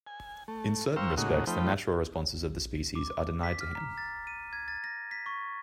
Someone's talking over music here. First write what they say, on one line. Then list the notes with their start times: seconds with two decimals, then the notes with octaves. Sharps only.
In certain respects the natural responses of the species are denied to him.
0.07 G#5
0.48 A3
0.96 C5 F5 G5 A#5 C#6 E6
1.17 A2 C#3 G#3 A#3 D#4 F#4
1.47 F3 A3 C4 D#4 G5 B5
2.95 D6
3.43 B6
3.61 F6
3.75 A#5
3.98 A6
4.27 D#7
4.53 G#6
4.68 A6
4.84 A#6
5.11 B6
5.26 C#6